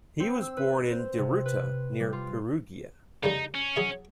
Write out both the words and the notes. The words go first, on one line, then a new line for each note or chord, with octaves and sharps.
He was born in Deruta, near Perugia.
C4
E6
B4
C5
C3
B4
G3
F4
C#3 G3 A3 D#4
C#4
F#3 G#4 E5